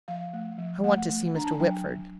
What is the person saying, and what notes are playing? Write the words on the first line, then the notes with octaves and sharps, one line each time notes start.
"I want to see Mr. Whitford."
F3 F5
A3
F3
A3 F#5
A3
D4 A#5
A5
G#5
F#3 G5
F#3